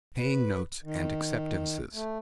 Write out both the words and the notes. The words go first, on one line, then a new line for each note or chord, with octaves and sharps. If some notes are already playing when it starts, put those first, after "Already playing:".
Paying Notes and Acceptances.
B4
D#3
A3